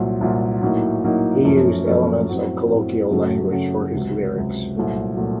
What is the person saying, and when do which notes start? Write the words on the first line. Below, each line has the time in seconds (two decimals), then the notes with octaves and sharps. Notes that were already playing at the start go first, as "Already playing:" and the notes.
He used elements of colloquial language for his lyrics.
Already playing: C2 A#2 F#3
0.21 C2 A#2 F#3
0.62 A2 F#3 A#3 D#4
1.04 A2 F#3 A#3 D#4
1.44 F#2 F3 A3 C#4
1.86 F#2 F3 A3 C#4
2.28 A2 F#3 C4
2.69 A2 F#3 C4
3.11 F#2 C#3 F#3 A3
3.51 F#2 C#3 F#3 A3
3.94 C#2 C3 F#3
4.34 C#2 C3 F#3
4.76 C2 A#2 F#3 A3
5.17 A#2 F#3 A3